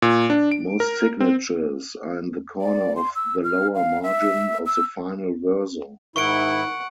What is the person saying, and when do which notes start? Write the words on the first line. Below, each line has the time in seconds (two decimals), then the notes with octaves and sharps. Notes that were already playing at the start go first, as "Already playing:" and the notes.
Most signatures are in the corner of the lower margin of the final verso.
0.02 A#2
0.30 D4
0.51 D7
0.80 A#4
1.21 C4
2.61 D5
2.96 C6
3.15 E6
3.44 F6
3.75 F5
4.03 E5
4.66 E6
6.16 G#2 D#3 E4 F#5 C#6 D7